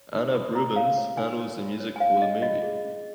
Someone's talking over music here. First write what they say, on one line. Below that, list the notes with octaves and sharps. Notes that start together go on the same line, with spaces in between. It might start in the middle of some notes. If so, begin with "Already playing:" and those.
Anup Rubens handle the music for the movie.
Already playing: C#5
D#4
F4 D#6
F4 A#5
C#5 F5
C#5
D#4 G#5
C#5
F4
C#5
G#5
C#5 F5
C#5 D#5
F4 D#5
G#4
C#4